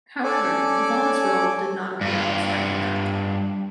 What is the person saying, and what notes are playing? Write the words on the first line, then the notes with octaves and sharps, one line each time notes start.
However, Vaughn's role did not appear in the final cut.
C#4 A4 D5 G#5 D6
G2 F4